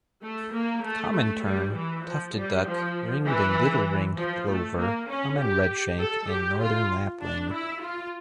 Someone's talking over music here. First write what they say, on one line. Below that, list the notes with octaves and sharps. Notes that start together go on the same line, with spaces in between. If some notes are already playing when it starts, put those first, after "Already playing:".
Common tern, tufted duck, ringed and little ringed plover, common redshank and northern lapwing.
A3
A#3
A3
A3
G3
E3
F3
G3
F3
E3
F3
A3
A#3
C#4
G4
A4
G4
F4
D4
E4
F4